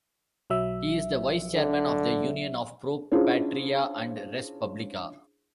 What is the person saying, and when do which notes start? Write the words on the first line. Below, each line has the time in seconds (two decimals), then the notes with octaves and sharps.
He is the Vice-Chairman of the Union of Pro Patria and Res Publica.
0.50 B1 F#3 E5
1.54 D3
3.12 C#4 D4 E4 F4 G#4 C5